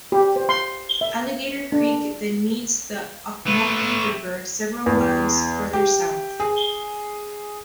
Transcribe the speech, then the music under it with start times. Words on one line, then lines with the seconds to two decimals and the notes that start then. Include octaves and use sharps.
Alligator Creek then meets the Ocmulgee River several miles further south.
0.12 G4
0.36 C5
0.49 C6
1.01 E5
1.72 D4
3.47 A3 B4
4.86 E2
5.73 G4
6.40 G#4